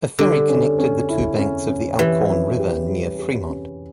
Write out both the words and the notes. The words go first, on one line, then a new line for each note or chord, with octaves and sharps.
A ferry connected the two banks of the Elkhorn River near Fremont.
D3 G3
C#4
C#4
E4
C#4
C#4
E3 G4
C#4
G4
G3
G4
C#4